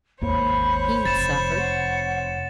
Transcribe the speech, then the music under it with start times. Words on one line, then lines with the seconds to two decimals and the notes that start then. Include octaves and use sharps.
He had suffered.
0.22 G#1 D#2 A#3 C5 C#5 B5
1.05 F1 A6 E7
1.59 F#5